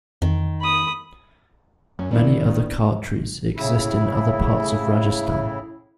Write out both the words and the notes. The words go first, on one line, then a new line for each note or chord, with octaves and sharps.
Many other chhatris exist in other parts of Rajasthan.
F2 D#3
B5 D#6
F#2 C#4
D#3 B3 D4 E4
A2 C#3 E4